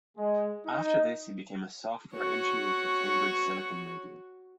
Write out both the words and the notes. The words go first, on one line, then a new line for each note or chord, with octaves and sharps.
After this he became a software engineer for Cambridge Silicon Radio.
G#3
D#4
F#4 C#5